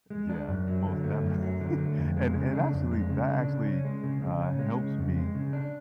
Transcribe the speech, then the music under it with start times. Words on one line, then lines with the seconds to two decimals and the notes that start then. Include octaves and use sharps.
Yeah, most definitely, and and actually that actually, uh, h helps me,
0.10 G#3
0.29 D4
0.48 F#2
0.67 F#3
0.85 D3
1.04 A3
1.22 F#2
1.42 F#3
1.60 D3
1.79 A3
1.98 F2
2.16 G#3
2.35 C#3
2.53 D4
2.73 F2
2.91 G#3
3.10 C#3
3.28 D4
3.48 C#3
3.66 C#4
3.85 G#3
4.04 C#3
4.22 C#3
4.41 C#4
4.59 G#3
4.78 C#3
4.97 F2
5.16 G#3
5.34 C#3
5.53 D4